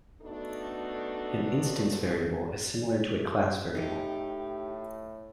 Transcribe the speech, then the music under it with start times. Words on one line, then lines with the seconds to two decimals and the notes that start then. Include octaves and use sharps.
An instance variable is similar to a class variable.
0.22 A3 B3 D4 D#4 F#4 A4
3.75 A2 D#4 G4